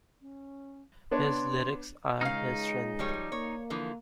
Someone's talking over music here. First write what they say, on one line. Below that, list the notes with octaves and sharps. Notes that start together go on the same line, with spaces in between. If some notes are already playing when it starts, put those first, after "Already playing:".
His lyrics are his strength.
C#4
B3 D4 C#5 C6
C#2 C#3 G#3 D#4 F5 F6
F3 G3 C#5
A#3 C#5
D3 E3 F3